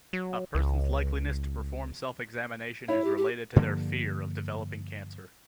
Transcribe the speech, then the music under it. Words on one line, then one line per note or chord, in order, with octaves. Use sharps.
A person's likeliness to perform self-examination is related to their fear of developing cancer.
F#3
C#2
E4 C#5
G4
G4
G2 D3 F3 A#3